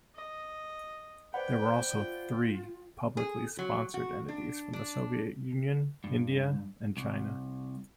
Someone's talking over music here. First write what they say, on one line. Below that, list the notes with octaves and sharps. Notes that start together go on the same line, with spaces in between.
There were also three publicly sponsored entities from the Soviet Union, India and China.
D#5
B4 C5 D5 F#5 G5 B5
F4
G#4
F#3
F#4
D4
D4
G2
C2